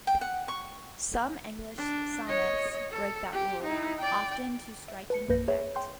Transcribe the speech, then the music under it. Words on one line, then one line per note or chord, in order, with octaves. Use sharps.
Some English sonnets break that rule, often to striking effect.
G5
F#5
C#6
D4
C#5 D#5
A4
G4
D#4 E4
D5 G5
E5
B4 A5 C#7
A#1 F#2 A#3 B4 G6 A#6
G#4 B4 C#5 E5
G5 C6 F#6 G6